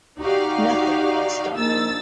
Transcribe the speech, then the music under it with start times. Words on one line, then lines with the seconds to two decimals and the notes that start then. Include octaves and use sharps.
Nothing can stop him.
0.20 D#4 F#4 G4 D5 F5
1.57 A#1 D#4 E6 A6